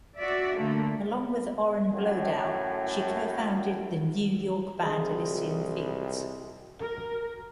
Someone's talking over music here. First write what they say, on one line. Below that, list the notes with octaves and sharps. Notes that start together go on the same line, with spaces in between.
Along with Oren Bloedow, she co-founded the New York band Elysian Fields.
F#4 D5 E5
D3 A3 A#3
F#2 A2
C2 G#3
A#4